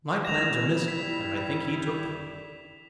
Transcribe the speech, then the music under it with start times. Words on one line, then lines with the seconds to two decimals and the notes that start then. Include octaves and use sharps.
My plans are missing, and I think he took them.
0.25 C#2 E4 A#6 E7 F7
0.88 G3 B6